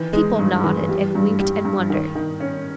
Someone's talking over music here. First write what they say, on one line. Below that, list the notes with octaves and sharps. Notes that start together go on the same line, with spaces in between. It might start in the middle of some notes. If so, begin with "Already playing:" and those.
People nodded and winked and wondered.
Already playing: D#3 E3
G#3
G2
E3
G3
G2
G3
G2
D#3
D#3
C#4